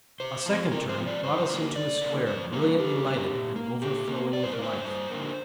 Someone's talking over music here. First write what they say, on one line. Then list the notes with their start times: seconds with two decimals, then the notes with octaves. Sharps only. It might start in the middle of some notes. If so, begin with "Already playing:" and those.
A second turn brought us into a square, brilliantly lighted, and overflowing with life.
0.20 C3 C5
0.46 F3 C4
0.72 C3 A#4
0.89 C5
0.98 F3 C4
1.07 D5
1.24 G2 C5
1.49 D3 A#3
1.75 G2 D5
2.01 D3 A#3
2.26 F2 C5
2.52 D3 G3 A#3 A#4
2.78 F2 G4
3.04 D3 G3 A#3
3.30 A#2
3.56 A#3
3.82 A#2 G4
4.08 A#3
4.33 G2 D5
4.43 C5
4.52 A#4
4.59 D3 A#3 C5
4.85 G2
5.10 D3 A#3